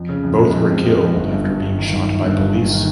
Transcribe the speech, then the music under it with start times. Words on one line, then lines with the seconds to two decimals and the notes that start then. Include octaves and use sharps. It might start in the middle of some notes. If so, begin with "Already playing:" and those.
Both were killed after being shot by police.
Already playing: F2
0.09 C#3
0.23 F2
0.39 G#3
0.55 F2
0.70 C4
0.85 G#3
1.01 F2
1.15 G1
1.32 G2
1.46 G2
1.62 G2
1.78 D#3
1.93 G1
2.08 G1
2.24 G2
2.39 G1
2.55 G1
2.70 D#3